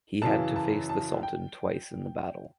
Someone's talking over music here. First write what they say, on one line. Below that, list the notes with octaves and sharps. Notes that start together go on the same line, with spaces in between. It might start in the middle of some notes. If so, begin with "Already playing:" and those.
He had to face the Sultan twice in the battle.
F#2 C#3 E3 A5
A5
A5
G5